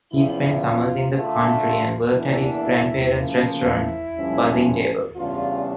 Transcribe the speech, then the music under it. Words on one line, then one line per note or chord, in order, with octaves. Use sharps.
He spent summers in the country and worked at his grandparents' restaurant bussing tables.
E2 C#3 F3 E4
F4
D3 A3 D4 F4
E2 E3 A#3 D4 E4
C#3 F3 A#3
E4
G2 D3 F3 C#4
E2 C#3 G3 D4 F4